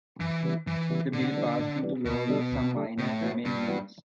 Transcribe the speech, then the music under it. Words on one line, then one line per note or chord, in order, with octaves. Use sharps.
The Bill passed into law with some minor amendments.
F#2 E3
C#3 G3 B3 E4
F#2 E3
C#3 G3 B3 E4
A2 D3
E3 G3 B3 D4
A2
E3 G3 B3 D4
D2 B2
D3 G3 D4 A4
D2
D3 G3 D4 A4
A2 C#3
E3 B3 F#4
G2 C#3
E3 B3 F#4